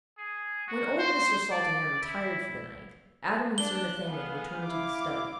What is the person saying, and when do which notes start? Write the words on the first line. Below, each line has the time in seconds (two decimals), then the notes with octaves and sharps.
When old Mr. Salton had retired for the night, Adam and Sir Nathaniel returned to the study.
0.18 G#4
0.68 F#4
0.98 C5
1.51 D5
2.02 E4
3.58 D4 F#6 G7
4.07 B3 G#4 F5
4.65 E4 D6